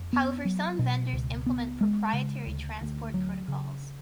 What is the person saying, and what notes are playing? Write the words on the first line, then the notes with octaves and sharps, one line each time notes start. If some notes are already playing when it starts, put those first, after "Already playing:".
However, some vendors implement proprietary transport protocols.
Already playing: F2
B3
F#3
B2
C#2
B3
G#3
C#3
D2
D2
F#3
C#3